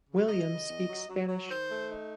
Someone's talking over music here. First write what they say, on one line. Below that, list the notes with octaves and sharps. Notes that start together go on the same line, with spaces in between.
Williams speaks Spanish.
C#3
E2 D#5
C#3
E2
F#3
F#3
F#3
D#3 C5
A3
D#4